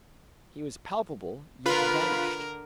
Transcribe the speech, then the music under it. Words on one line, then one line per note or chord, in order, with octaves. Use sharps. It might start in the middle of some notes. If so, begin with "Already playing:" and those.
He was palpable, yet vanished.
D3 F4 A#4 B4 B5